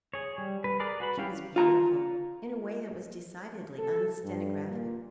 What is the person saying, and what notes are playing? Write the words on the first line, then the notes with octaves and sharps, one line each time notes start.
She was beautiful in a way that was decidedly unstenographic.
G#4 C#5
G3
B4
G#4 A#4 B4 D5
F#4 B4 B5
C#4 E4 F5 G5
F4 A#5
A4
G2
A#2